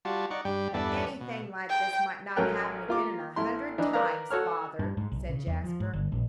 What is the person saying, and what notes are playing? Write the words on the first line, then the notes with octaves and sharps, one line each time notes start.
"But anything like this might not happen again in a hundred times, father," said Jasper.
G3 F4 F#4 A5
D#4 D5 F#5 C#6
G2 G3 G5
E2 G2 B3 A4 D5 E5
B2
G5
A1 F#3 C#4 A#4 G5 F#6
A#3 F4 D6
A1 E4 C6
E3 D4 D#4
A#4 B4 D5 F5 A#5
F#4 A4 C#5 F6
G2
G#2
B1
C#3
E2
F3
G#2
G1
A#1